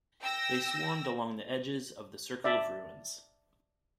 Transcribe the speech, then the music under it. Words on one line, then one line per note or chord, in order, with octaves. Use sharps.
They swarmed along the edges of the circle of ruins.
G5 E6 A#6
D5 E5